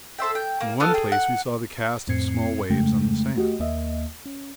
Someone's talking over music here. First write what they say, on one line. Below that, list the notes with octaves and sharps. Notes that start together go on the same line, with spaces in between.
In one place we saw the cast of small waves on the sand.
A4 C5 E5 G5
G5
A#3
B3 F4 A4 F6
G#4 G5
F#5
F2 A2 C4 G#6 C7 C#7
F2 C#3 G#3 A3 G5
A3 F#4 G4 D#5
D#2 A#3 D#5 E5
C#4